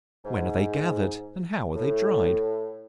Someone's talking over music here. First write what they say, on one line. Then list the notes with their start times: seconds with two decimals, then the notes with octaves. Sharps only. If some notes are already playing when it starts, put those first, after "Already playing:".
When are they gathered, and how are they dried?
0.25 G#2
1.76 A2